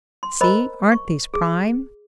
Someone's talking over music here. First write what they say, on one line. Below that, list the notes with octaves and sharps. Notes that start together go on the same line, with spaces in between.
"See--aren't these prime!"
C6
A#4 C5 D#5 A#5 B5
C#6
G#4